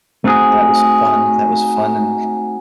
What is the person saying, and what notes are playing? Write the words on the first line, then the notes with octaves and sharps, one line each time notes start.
that was fun, that was fun, and
A3 C4 D#4 F#4 G#4